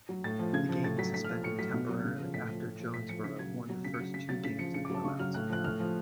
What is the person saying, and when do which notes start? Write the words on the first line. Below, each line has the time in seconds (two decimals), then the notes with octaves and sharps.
The game was suspended temporarily after Jonesboro won the first two games in blowouts.
0.09 F#3
0.24 A2 A6
0.39 F3
0.53 C#3 G#6
0.69 F3
0.83 A2 A6
0.98 F#3 B6
1.14 A2 B6
1.24 F6
1.29 F3
1.44 A2 C#7
1.59 F#3 B6
1.74 B2
1.89 F#3
2.04 C#3
2.19 F3
2.34 A2 B6
2.49 F3
2.64 A2
2.79 F3
2.94 A2 B6
3.09 F3 C#7
3.24 C#3 B6
3.39 F#3 G#6
3.54 B2
3.70 F#3
3.85 C#3 B6
3.94 C#7
4.00 F#3
4.14 C#3 B6
4.29 F#3 A6
4.44 C#3 B6
4.59 F3 C#7
4.74 C#3 C#7
4.85 D6
4.90 F#3 A5
5.04 C#3 C#6
5.20 F#3 F6
5.34 A2 F#6
5.50 F3 F#6
5.64 A2 F6
5.80 F3